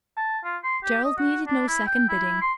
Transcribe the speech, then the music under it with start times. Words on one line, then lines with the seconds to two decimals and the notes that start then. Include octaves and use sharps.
Gerald needed no second bidding.
0.17 A5
0.44 F4
0.63 C6
0.83 G4
1.04 D#5
1.17 F#4
1.46 D4
1.67 E4
1.86 G5
2.09 E4
2.42 C6